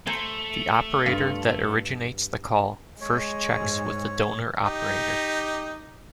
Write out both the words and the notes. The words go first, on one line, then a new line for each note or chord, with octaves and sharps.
The operator that originates the call first checks with the donor operator.
A3 C5 G#5 A#5
G2 F4
G#3 C#5
G#2
D#4 G4